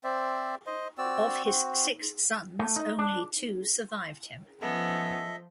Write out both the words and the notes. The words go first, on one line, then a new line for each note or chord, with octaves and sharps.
Of his six sons, only two survived him.
C4 C5 D5 E5
C5 D#5
C4 F#4 D5 E6
C4 F#4
A3
D#4
D4
F3 B3 C#4 A4 D#5 E5